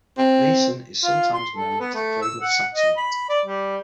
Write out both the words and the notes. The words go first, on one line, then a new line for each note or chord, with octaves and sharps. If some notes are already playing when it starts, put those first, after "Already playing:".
Meissen is sometimes known as the "cradle of Saxony".
C4
F4
C6
A4
B3
A3
E6
F#5
D#5
B5
D5
G3